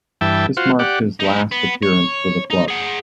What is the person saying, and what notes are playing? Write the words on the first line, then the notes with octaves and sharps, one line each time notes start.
This marked his last appearance for the club.
G2 E3 E5 G5 A5
F4 F#4 C5
G4 D5 F#5
D#4 E4
B3
C#5
D#4
G#4 F#5